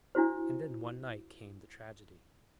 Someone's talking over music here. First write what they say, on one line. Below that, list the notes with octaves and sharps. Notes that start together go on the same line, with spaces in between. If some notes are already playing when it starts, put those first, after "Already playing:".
And then one night came the tragedy.
D4 E4 F#4 C5